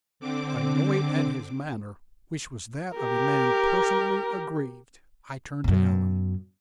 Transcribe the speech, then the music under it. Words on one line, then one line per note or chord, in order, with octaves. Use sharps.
Annoyed at his manner, which was that of a man personally aggrieved, I turned to Ellen.
D3 C4 D6
G4 A#4
F#2 B2